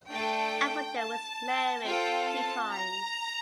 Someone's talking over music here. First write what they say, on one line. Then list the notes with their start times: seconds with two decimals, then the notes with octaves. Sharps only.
Appleton was married two times.
0.11 A3 D4 A4 G5
0.99 A5
1.85 C4 F4 A4 G5
2.29 A5
2.73 A#5